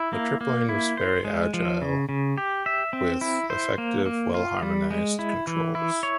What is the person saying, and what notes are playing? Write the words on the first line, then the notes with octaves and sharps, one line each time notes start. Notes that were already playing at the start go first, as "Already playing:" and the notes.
The Triplane was very agile, with effective, well-harmonised controls.
Already playing: E4
A#3
A#3
E4
C5
G#3
F3
C#3
C#3
G4
E5
C4
E4
C5
A#3
A#3
F4
G3
G#3
E4
E3
E4
C#5